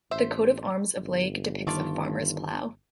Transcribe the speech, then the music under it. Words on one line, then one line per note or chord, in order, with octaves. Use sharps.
The coat of arms of Lage depicts a farmer's plough.
A1 C5 E5
G1
D#3 A3 F4 D5